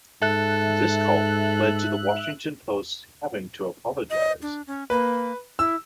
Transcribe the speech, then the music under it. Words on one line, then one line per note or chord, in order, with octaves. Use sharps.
This column led to the Washington Post's having to apologize.
G#2 A4 E5 F#6
D#5
D4
C#4
A#3 B4
E4 E6